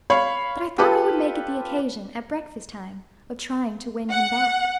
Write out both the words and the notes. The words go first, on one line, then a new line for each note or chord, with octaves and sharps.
But I thought I would make it the occasion, at breakfast-time, of trying to win him back.
C#5 F5 B5
F4 G4 A4 B4
F#5